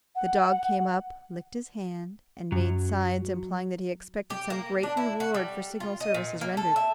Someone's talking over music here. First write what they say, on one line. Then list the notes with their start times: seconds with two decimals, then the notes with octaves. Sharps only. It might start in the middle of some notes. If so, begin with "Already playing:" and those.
The dog came up, licked his hand, and made signs implying that he expected some great reward for signal services rendered.
0.15 F#5
2.52 F#2 F#3
4.30 G4
4.50 A#3
4.83 D4
4.97 E4
5.20 F#4
5.34 G3
5.80 F4
6.00 D#5
6.14 A#2
6.41 A#3
6.57 A4
6.76 E5